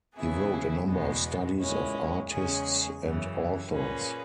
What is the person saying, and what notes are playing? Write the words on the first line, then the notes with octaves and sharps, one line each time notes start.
He wrote a number of studies of artists and authors.
C#3 E3 B3 E4 G#4
E2 B2 G#3 B3
A#2 G#3 C#4 E4
E2 C#3 G#3 C#4 G#4
F#2 C#3 E3
A#2 A#3 C#4 G#4 B4